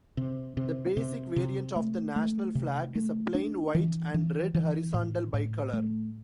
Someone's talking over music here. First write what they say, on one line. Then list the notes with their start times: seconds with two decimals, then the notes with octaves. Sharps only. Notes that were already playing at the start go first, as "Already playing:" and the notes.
The basic variant of the national flag is a plain white-and-red horizontal bicolor.
0.17 C3
0.57 C3
0.97 C3
1.36 C3
1.76 A3
2.16 A3
2.55 C3
2.95 A3
3.35 D4
3.75 E3
4.14 E3
4.55 E3
4.94 A2
5.34 A2
5.73 A3